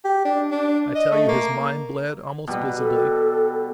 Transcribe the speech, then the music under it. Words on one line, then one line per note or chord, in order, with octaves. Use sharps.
I tell you his mind bled almost visibly.
G4
D4
D4
D#5
A3
A#3
B2 G3 B4
A4